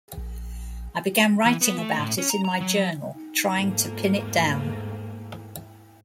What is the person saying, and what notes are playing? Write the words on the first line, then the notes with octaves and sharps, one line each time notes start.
I began writing about it in my journal, trying to pin it down.
A#1
E3
B3
A3
A2
C#4
A#5
A#5
F#3
E2 G#2 A3 A#3